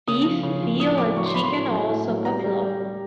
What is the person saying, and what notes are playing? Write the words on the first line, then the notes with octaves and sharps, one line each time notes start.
Beef, veal and chicken are also popular.
C#3 D#6
F3
C#3
F3
A2 D#6
F#3 D6
F#3 C#6
C6
F#3 B5
C6
A2
F#3
A2
F#3
G3 A#5
G3
G3
G3